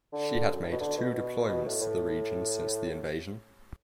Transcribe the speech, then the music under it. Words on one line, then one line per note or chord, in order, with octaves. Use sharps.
She has made two deployments to the region since the invasion.
D3
F#2
A2
B2
D3
B2
B2
B2
A2
A2